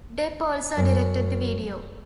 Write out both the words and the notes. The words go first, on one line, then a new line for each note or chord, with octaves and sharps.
Depp also directed the video.
F#2